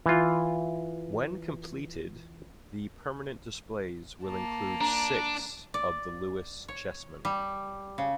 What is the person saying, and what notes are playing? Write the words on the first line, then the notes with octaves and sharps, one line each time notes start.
When completed the permanent displays will include six of the Lewis Chessmen.
E3 F4
A#3 A5
D4 A#5
D5
C#5
G3
C#3